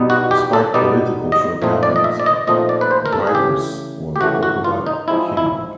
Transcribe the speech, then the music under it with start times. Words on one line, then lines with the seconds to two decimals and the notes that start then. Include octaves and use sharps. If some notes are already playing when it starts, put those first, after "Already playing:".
Despite political shortcomings, Grypus was a popular king.
Already playing: B2 G3 B3 D#4
0.10 F#4
0.31 G4
0.53 A4
0.74 B2 G3 B3 D#4 D5
1.32 D#5
1.62 A#2 F3 A3 C4 D#4
1.83 D5
1.96 D#5
2.04 E5
2.20 D5
2.26 D#5
2.47 A#2 F3 A3 C4 D#4 D#5
2.69 D5
2.81 B4
2.91 C5
3.06 A#4
3.13 A4
3.27 G#4
3.35 C#3 E3 A3 G4
4.16 G4
4.21 C#3 E3 A3 F#4
4.43 F#4
4.64 F4
4.86 D#4
5.08 F3 G#3 C4 D#4 E4
5.37 E4